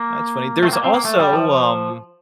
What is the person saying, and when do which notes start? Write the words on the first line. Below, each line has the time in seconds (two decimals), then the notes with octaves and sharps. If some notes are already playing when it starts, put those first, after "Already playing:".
That's funny. There's also, um
Already playing: A#3
0.63 A3
0.68 C4
0.73 A#3
0.84 C4
0.94 A#3
1.05 A3
1.19 G3
1.33 F3